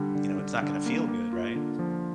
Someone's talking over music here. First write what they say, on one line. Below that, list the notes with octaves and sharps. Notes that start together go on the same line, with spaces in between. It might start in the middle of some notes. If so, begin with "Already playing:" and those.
you know, it's not gonna feel good, right?
Already playing: D3 G3
D3
D3
D3
A#3
A#3
F4
D3
F3